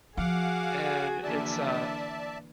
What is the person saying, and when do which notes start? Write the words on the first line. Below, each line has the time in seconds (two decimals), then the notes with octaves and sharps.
And it's a
0.17 F3 F#4 G#4 F5 F#5 D6
1.23 D3 E3 A#3 D5 E5 A5